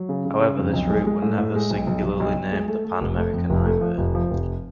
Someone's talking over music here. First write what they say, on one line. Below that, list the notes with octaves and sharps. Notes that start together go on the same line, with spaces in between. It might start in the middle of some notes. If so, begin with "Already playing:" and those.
However, this route was never singularly named the Pan-American Highway.
Already playing: F#3
C#3
C#3
C#3
F2
B1
G#3
G#3
A2
A2
G#3
B1
B1
B1
B1
B1
G#3
A3
A3
F1
A3
F2
F1
A3
F3
F1
F3
F1